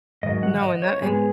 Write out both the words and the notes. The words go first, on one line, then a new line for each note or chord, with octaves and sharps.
No, and that, and
G#2 D#3 F#3 D#5
F#5
D#5
C#5
G#2 G#3 B3 G#4